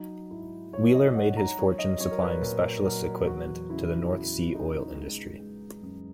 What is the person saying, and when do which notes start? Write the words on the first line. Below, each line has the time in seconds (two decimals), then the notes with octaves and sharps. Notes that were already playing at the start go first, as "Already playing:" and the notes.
Wheeler made his fortune supplying specialist equipment to the North Sea oil industry.
Already playing: F#3 D#4
0.31 G#2 E4
0.73 G#2 C#5
0.95 D#5
1.15 G#2 F#5
1.37 A#5
1.58 F#3 C#5
1.79 D#5
2.00 F#3 C#5
2.11 A#4
2.22 B4
2.42 A#2 A#4
2.85 F#3 A#4
3.27 E2 F#4
3.69 C#3 E4
4.12 C#3 E4
4.54 C#3 D#4
4.97 G#3
5.39 G#3
5.82 F#2